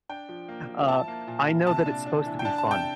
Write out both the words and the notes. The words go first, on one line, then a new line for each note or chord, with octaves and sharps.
uh, I know that it's supposed to be fun,
D4 G5
F3
A#3
F3
E4 A5
A#3
A#2
A#3
C3 A5
D4
D4
E3
G5
D4 A5
A5
C3
G5